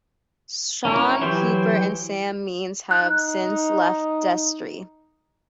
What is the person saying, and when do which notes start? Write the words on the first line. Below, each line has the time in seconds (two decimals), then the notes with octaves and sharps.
Shaun Cooper and Sam Means have since left Destry.
0.85 C#4 E4 F#4 A#4
1.21 E3 F#3 E4 G4 C5
2.91 D#4 F#6